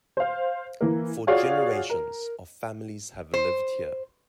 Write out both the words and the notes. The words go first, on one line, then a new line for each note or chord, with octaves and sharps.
For generations, our families have lived here.
C5 F5
E3 A#3
F4 F#4 G#4 C#5 D5 F5
A#4
C5